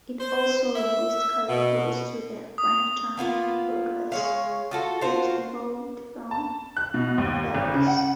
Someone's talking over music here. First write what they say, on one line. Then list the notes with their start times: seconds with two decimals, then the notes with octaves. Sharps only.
It is also linguistically close to the French term "Bourgeois", which evolved from "burgeis".
0.20 C5
0.76 E5
1.49 B2
2.58 D#6
3.17 A#3 B3 F4 A#4
4.12 G#3 C#5 F5
4.71 F4 F#4 A4
5.01 F4 F#4 A#4 C5
6.31 A5
6.77 F#6
6.94 B2
7.18 D#2
7.55 G#1
7.74 C#3
7.87 F#5